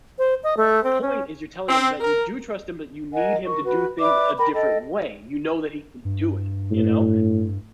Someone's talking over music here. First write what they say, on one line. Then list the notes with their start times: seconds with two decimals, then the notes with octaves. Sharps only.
point is you're telling him that you do trust him, but you need him to do things a different way, you know that he can do it, you know?
0.18 C5
0.43 D#5
0.57 A3
0.84 C4
1.02 C#4
1.69 C4
2.01 A#4
3.13 A#4 D#5 F#5 G#5
3.45 A#4 C#6
3.64 F#4 B4
3.99 B4 D5 E5 D6
4.38 A#4 G5 B5
4.54 A4 D#5 G5
6.05 G2
6.72 A2